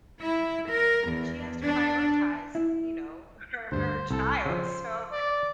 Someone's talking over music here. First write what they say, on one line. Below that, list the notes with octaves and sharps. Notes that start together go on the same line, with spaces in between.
And she has to prioritize, you know, her her child, so
E4
A#4
E2
D4
E4
D2 G2 C5
C2 A4
C#3 F3 C5
D5